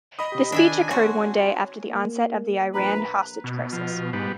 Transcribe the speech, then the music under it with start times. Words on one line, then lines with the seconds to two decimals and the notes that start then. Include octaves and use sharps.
The speech occurred one day after the onset of the Iran hostage crisis.
0.19 D#5 B5 D#6
0.32 C3 G4
0.52 D#3 D4 E5 G#5
0.91 C4 F#4 C#5 G#5 C6
1.89 A#3
2.74 A#1 B4 A#5
3.44 B2
3.73 F3
4.13 G#2 G3 B3